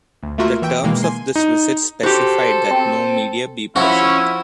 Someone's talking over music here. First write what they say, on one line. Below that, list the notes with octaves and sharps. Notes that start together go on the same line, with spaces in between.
The terms of this visit specified that no media be present.
D2
A3 A#3 F4 F#4 A#4 E5
E3 E5 G5 D7
B2 D#3 E3 G#3 A#3
G#5 C6
D#4
F#4 G4 A4 C5
C4
F3 C#4 E4 F#4